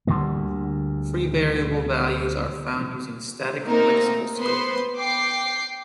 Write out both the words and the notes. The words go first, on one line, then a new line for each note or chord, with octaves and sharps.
Free variable values are found using static lexical scoping.
D2 D3 G3 A#3
A3 A#3 C4 D#4 A#4
B3 B4 C5 C6
G5 D6 C7